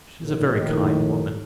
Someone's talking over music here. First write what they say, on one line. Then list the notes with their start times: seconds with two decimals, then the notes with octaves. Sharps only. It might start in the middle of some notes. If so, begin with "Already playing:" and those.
She is a very kind woman.
0.23 A#1 A2 D#3